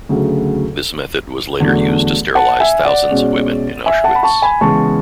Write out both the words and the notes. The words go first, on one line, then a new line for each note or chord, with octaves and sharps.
This method was later used to sterilize thousands of women in Auschwitz.
D2 C#3 F#3
E2 D3 F#3 A3
F#5 A5
E5 G#5
D5 F#5
B2 G#3 C#4
E5 G#5
F#5 A5
B5
A5 C#6
G#5 B5
C#3 E3 G#3 B3 A5 C#6